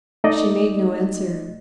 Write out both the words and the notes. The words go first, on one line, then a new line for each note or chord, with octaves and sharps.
She made no answer.
A3 D#4 D5 D#5